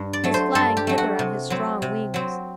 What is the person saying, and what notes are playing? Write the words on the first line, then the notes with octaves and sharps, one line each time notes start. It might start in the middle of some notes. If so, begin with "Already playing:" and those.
"He is flying hither on his strong wings."
Already playing: G2
D5
F#3 A3
C5
G2 A4
G4
F#3 A3
F#4
C3
F#3 C4
C3
F#3 C4